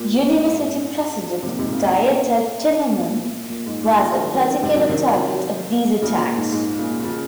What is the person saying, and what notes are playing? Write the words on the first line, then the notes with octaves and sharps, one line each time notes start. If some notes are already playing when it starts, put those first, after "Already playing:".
University president Dieter Timmermann was a particular target of these attacks.
Already playing: A#2
G#2
C3
A#2
G#2 C3
A#2 C#3
G#2 C3
A#2
A#2
A#2
G#2
A#2
C#3 F3
D#3 F#3
D#3 F#3
G#2 C3
D#3 F#3
C3 D#3
A#2 C#3
A#2
G#2
G#2
A#2 C#3
C#3 F3